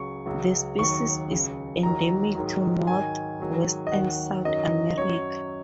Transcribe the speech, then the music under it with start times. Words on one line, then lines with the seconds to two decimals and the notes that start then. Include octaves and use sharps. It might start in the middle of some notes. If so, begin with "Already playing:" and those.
The species is endemic to northwestern South America.
Already playing: C#2 C#3 F#3 C#6
0.26 C#2 C#3 F#3
0.78 D#2 D#3 F#3 C#6
1.31 C#2 C#3 F#3
1.83 D#2 D#3 F#3 A#5
2.35 G#2 D#3 F#3
2.87 G#2 D#3 F#3 G#5
3.40 G#2 D#3 F#3
3.87 D#5
3.92 D#2 D#3 F#3 F#5
4.45 F#2 D#3 F#3 D#5
4.97 F#2 F#3 C#5